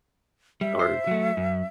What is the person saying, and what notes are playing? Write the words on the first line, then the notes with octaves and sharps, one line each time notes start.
are g
G3 E5
C5
F#3 A3
F#2